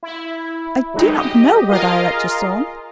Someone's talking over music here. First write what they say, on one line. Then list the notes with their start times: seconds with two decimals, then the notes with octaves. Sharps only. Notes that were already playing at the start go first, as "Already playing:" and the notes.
"I do not know whether I liked your song."
0.03 E4
0.94 F#3 G#3 D#4 G4
1.16 G4 D#5
1.69 F4 G#4 A#4 D#5 F5